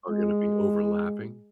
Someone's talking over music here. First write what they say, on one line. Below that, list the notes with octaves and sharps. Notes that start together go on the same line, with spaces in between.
are going to be overlapping.
G#3